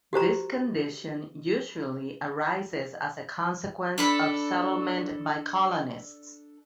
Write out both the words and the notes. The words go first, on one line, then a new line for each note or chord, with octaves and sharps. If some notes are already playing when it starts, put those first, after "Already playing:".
This condition usually arises as a consequence of settlement by colonists.
F#4 G4 C5 A#5
D4 A4 B5